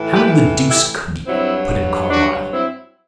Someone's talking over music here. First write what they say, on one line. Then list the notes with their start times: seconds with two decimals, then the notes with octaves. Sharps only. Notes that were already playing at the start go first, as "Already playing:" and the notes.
"How the deuce could you?" put in Carlyle.
Already playing: A2 E3
0.14 G4 B4
0.71 E4 G4
1.27 G2 F#3 C4 E4
2.11 D4 F#4
2.54 C4 E4